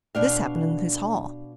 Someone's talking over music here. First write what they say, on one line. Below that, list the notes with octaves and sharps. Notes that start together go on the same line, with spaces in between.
This happened in his hall.
B2 D4 F5